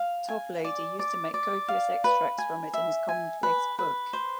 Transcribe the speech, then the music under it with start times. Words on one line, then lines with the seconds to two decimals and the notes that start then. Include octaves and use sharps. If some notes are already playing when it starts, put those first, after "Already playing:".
Toplady used to make copious extracts from it in his common-place book.
Already playing: F5
0.29 G#5
0.64 D5
0.99 D5
1.34 D5
1.68 F5
2.04 B4
2.38 G#5
2.74 E5
3.09 G#5
3.43 B4
3.79 B4
4.13 C5